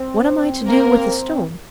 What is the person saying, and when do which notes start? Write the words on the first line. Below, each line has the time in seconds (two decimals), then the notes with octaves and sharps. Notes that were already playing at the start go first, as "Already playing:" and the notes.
"What am I to do with a stone?"
Already playing: C4
0.68 A#3 A#4